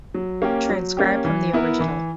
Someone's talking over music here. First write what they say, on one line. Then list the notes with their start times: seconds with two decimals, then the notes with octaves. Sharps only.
Transcribed from the original.
0.14 F#3
0.42 A#3 C#4 G4
0.69 F#3
0.97 A#3 C#4 G4
1.25 E3
1.53 B3 E4 A#4
1.80 E3